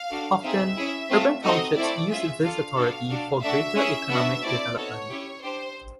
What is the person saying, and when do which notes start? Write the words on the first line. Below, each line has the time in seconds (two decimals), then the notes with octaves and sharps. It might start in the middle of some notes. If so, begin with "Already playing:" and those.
Often, urban townships use this authority for greater economic development.
Already playing: F5
0.10 D4 F#4 A4
0.44 C4 D#4 G#4 E5
0.77 C#4 E4 G#4
1.10 A3 C4 F4
1.43 C4 D#4 F#4 A4 D#5
1.76 A3 C4 E4 D5
2.10 C#4 F4 G#4 E5
2.43 D4 F4 A4 F5
2.76 B3 D4 F#4 A4
3.10 D4 F#4 A4
3.43 A3 D4 F#4 E5
3.76 C#4 E4 G#4
4.09 B3 D4 F#4
4.43 A3 C4 E4 D5
4.75 B3 D#4 F#4 A4 C#5
5.08 C#4 E4 G4
5.42 D4 G4 C5